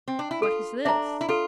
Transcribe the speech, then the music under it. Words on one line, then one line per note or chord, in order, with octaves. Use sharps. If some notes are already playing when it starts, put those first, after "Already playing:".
What is this?
C4
D4
E4
F4 A4
D4 E5 A#5
E4
F4 A4